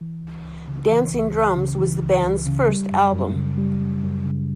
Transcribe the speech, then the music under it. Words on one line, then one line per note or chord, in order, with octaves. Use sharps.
Dancing Drums was the band's first album.
E3
C#2
C#2
C#3
E3
C#2
C#2
C#3
E3
C#2
C#2
C#3
G3
F#2
F#2
C#3
G3
F#2
F#2
C#3